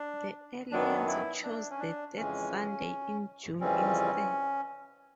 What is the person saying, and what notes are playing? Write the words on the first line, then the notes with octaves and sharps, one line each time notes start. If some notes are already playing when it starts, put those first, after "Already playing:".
The Alliance chose the third Sunday in June instead.
Already playing: D4
F#2 D#3 F#3 B3 D4
E4
D4
C#4
D4
F2 C#3 E3 G#3 C#4
F2 C#3 E3 G3 C4 C#4